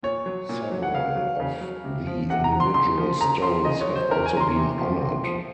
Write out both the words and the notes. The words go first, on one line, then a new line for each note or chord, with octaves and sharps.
Several of the individual stories have also been honored.
A#2 C#5
F#3
A#2
F#3
F#5
C#3 F5
F#3
C#3
F#3
C3
F3
C3 F#5
A#5
F3
C6
C#3 C6
F3
C#3 A#5
F3 C6
C#3 D#5
C#5
F#3
C5
C#3 A#4
G#5
F#3 A#5
C6
C3
F3
C3
F3